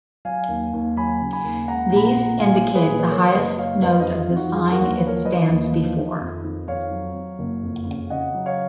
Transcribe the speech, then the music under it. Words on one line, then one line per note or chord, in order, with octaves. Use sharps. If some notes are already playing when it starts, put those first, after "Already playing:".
These indicate the highest note of the sign it stands before.
F#3 F5 G#5
D#2
D#2
F#3 G#5 B5
C#3
G#5 B5
D#2
G#3 F#5 A#5
A#1 B5
F#5 A#5
A#1
A#1 F5 G#5
G#3
G#4 B4
A#1
B4
F#3 A#4 C#5
F#1 B4 D#5
F#3 C#5 F5
F2 B4 D#5
B4 D#5
F2
F4
F2
D#4 F#4
F3 F4 G#4
F#4 A#4
D#2
F3 B4
A#4 C#5
F3 B4 D#5
D#2
F3
D#3
F2
D#3
F2 C#5 F5
F#3
F#3
F#1
F2
C#3
C#3 D#5 F#5
F#3
C#5 F5